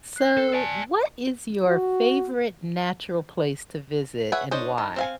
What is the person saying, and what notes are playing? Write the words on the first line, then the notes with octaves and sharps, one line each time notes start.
So, what is your favorite natural place to visit and why?
F#6 C7
A4
D5 G#5 A5 D7
F#4
G#4 B4 C#5 E5 F#5
D4 D#4 C5 C#5 D#5
D#3
C4 F5 G#5